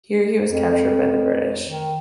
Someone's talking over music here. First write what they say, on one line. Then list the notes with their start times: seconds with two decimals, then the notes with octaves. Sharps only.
Here he was captured by the British.
0.50 F2
1.66 D#3